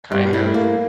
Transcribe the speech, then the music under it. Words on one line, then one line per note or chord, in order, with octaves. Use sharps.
kind of
G2 G3
E4
A3
A#3